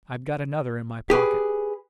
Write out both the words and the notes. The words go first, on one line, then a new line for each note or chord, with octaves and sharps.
"I've got another in my pocket."
G4 G#4 B4